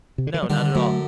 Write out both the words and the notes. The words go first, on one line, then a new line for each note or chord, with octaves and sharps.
No. Not at all.
C3
D3
D#3
F#3
D3 D#3 G3
F#2 F#3 A3